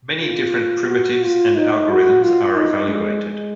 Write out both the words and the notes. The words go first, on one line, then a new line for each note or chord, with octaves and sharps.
Many different primitives and algorithms are evaluated.
F4
F#4
F4
D#4
F#4
F4
D#4
G#3
G#3